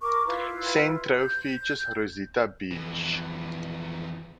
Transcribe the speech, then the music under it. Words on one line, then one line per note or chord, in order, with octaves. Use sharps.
Centro features Rosita Beach.
A#4 C#6 D6
E4 F4 B4
G6
F2 E3